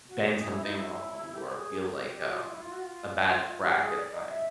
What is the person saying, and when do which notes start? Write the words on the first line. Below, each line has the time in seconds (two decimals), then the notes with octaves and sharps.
bend something wrong or feel like, um, a bad crack at times
0.08 F#4
0.24 G4
0.40 G#4
0.51 E4
0.62 D#4
0.74 E4
1.33 G4
1.56 G#4
1.74 G#4
1.79 G4
2.26 F#4
2.37 F4
2.49 E4
2.61 F4
2.71 F#4
2.81 F4
3.59 F#4
3.65 G4
3.81 G#4
3.97 D5
4.12 D#5
4.28 E5